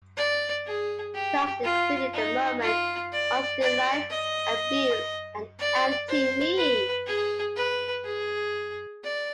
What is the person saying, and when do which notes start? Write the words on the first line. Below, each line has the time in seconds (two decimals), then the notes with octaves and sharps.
Tracks included The Moment, Unstill Life, Abuse and Empty Me.
0.17 D5
0.66 G#4
1.14 G4
1.64 F4
2.13 D#4
2.62 F4
3.12 D5
3.61 D5
4.10 D#5
5.59 D5
6.08 C5
6.56 B4
7.06 G#4
7.56 B4
8.04 G#4
9.04 D5